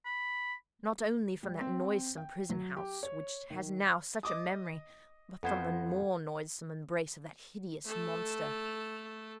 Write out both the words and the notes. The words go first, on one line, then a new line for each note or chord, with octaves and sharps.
Not only from that noisome prison-house, which has now such a memory, but from the more noisome embrace of that hideous monster.
B5
G3
C4
G5
F#3
G4
C#5
D#3
F6
D#5 D6 D#6
F2 B3 A4 C5 F#5 G#6
A3 A4